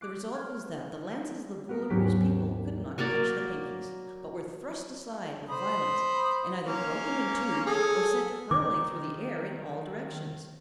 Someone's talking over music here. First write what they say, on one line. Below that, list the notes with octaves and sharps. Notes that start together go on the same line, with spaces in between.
The result was that the lances of the Boolooroo's people could not touch the Pinkies, but were thrust aside with violence and either broken in two or sent hurling through the air in all directions.
D6 F#6 C7
F6 G#6
B3 F#4 A#4
D#2 G#2 F#3 C#4 G4 B6
F#3 A#3 A#4 D5
C5 B5 D#6
A#3 C#4
G#4 A4
D#3 D6